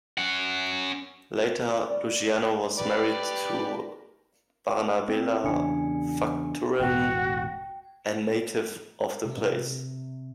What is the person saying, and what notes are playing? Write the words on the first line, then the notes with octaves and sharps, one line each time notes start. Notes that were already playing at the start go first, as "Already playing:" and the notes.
Later, Luciano was married to Bernabela Facturan, a native of the place.
C#4 F#5
D5 B5 C#6
G4 B4 D5
C4
E2 C#3 D4 G#5 C#7
E1 A1 F#4 G5
C3